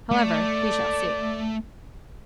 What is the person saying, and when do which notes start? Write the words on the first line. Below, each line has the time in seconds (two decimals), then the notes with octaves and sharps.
However, we shall see.'
0.11 A3 D5